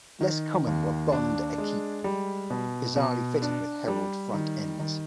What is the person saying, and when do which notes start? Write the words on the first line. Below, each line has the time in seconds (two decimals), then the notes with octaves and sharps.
Less common were Bond Equipes, bizarrely fitted with Herald front ends.
0.21 D#3
0.67 D#2
1.12 D4
1.58 G#3
2.04 G3
2.50 B2
2.96 B2
3.42 D4
3.88 G3
4.34 D#3
4.79 D#3